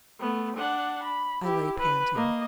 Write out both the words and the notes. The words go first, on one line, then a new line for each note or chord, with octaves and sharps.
I lay panting.
A3 B3
D4 F#5
B5
E4 G4
B4
A#3 D#5